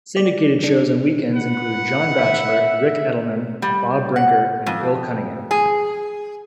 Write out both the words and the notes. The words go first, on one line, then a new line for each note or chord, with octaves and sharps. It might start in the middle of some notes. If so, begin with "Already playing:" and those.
Syndicated shows on weekends include John Batchelor, Ric Edelman, Bob Brinker and Bill Cunningham.
D5
D4
B4 F#5
E5
G3
F#5
F2
G#4